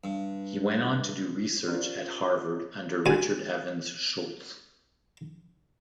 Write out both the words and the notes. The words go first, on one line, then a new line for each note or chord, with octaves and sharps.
He went on to do research at Harvard under Richard Evans Schultes.
G2
C#4 F4 G4 A#4 C5 D5
D2 G#5